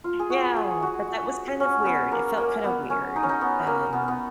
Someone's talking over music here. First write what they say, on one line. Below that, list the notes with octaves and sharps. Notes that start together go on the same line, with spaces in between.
Yeah. But that was kind of weird. It felt kinda weird. Um,
F4
G#4
F#4
G#4
F#4
F#4
C#4
B3
A#3
A#3
B3
C#4
D#4
C#4
D#4
B3
A#3
B3
B3